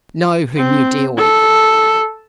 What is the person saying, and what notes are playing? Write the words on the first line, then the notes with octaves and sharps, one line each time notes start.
Know whom you deal with.
C4
A4